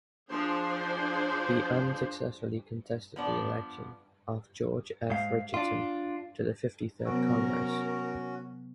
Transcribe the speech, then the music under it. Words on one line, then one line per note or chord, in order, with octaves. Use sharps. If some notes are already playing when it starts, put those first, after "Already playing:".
He unsuccessfully contested the election of George F. Richardson to the Fifty-third Congress.
F3 D4 G#4 C5
F3 B3 D4
G#2 F5
D4 F4
C3 F#3 B3 C#4 F#4 A#4